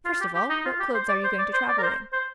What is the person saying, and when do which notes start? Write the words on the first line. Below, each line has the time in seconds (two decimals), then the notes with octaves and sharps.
"First of all, what clothes are you going to travel in?"
0.05 F4
0.21 G4
0.35 G4
0.50 D#4
0.65 F4
0.80 G4
0.94 C5
1.09 D5
1.24 C5
1.38 D5
1.53 C5
1.68 D5
1.78 A#4
1.83 C5
2.13 C5